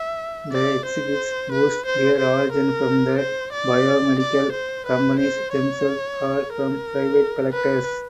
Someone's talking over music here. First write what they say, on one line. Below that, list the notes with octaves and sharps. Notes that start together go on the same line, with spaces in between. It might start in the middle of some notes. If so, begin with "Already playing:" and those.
The exhibits boast their origin from the biomedical companies themselves or from private collectors.
Already playing: E5
D5
C5
B4
C5
C5
A#4
C5
D5
D5
C5
B4
C5
C#5
A#4
B4